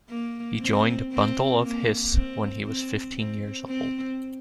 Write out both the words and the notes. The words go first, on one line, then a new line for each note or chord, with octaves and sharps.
He joined Bundle of Hiss when he was fifteen years old.
A#3
C4
C4
A#3
C4
C4
C4
C4